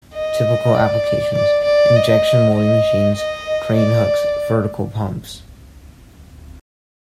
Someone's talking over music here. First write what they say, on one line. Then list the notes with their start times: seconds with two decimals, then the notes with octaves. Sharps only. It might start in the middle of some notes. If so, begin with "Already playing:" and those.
Typical applications: injection molding machines, crane hooks, vertical pumps.
0.14 D#5
0.74 D5
1.34 D5
1.65 D5
1.95 D#5
2.55 D#5
3.15 D#5
3.76 D5